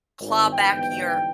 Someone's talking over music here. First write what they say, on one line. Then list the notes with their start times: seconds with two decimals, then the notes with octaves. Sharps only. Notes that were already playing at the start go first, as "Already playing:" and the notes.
claw back your
0.20 G#1
0.51 G1 G#2 E3 B3 G5